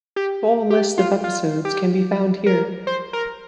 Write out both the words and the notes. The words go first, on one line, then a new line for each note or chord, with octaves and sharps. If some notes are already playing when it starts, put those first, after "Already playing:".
Full list of episodes can be found here.
G4
G4
F4
F4
G4
A#4
C5
A#4